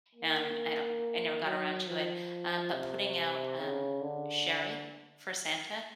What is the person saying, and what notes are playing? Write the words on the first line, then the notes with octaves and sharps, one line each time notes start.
and, um, I I never got around to it. Um, but putting out, um, sherry for Santa
A#3
F#3
F3
C3
C#3
D3